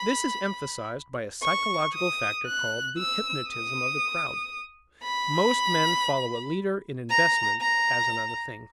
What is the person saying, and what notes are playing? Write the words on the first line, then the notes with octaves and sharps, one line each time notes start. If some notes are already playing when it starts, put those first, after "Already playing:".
This is emphasized by a psychological factor called the "hypnotism of the crowd," Most men follow a leader in investment as in other things.
Already playing: B5
C#6
D#6
F#6
E6
D#6
B5
A#5
A#5